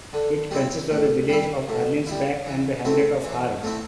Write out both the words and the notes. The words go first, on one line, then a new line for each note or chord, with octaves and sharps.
It consists of the village of Erlinsbach and the hamlet of Hard.
D3
G3 C4 E4
A2
G3 E4
A2
G3 E4
E3
A3 C4 E4
E3
A3 C4 E4